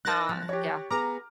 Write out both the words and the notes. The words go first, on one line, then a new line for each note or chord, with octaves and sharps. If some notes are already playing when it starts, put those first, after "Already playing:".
Ah. Yeah.
D#4 A#4 D#5 F#6 A6 A#6
F3
G4 C#5
B3 G#4 A#5 D6 F6